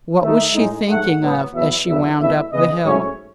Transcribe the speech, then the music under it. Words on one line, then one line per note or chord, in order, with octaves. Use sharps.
What was she thinking of as she wound up the hill?
D#3 A3 D#4 E5
A2 G#3 D#4
G#2 F#3 A3 F#5
A2 F#3 B3
E2 B2 F#3 B3 E5
E2 C#3 F#3 B3 E5
E2 B2 A3 E4 E5
C#3 E3 B3 D#5
G#2 F#3 A3 C#4 E4 C#5